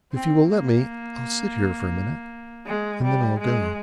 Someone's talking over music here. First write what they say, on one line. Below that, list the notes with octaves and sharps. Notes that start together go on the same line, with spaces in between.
If you will let me, I'll sit here for a minute, and then I'll go.
C4
A#3
G#3
G3
G#3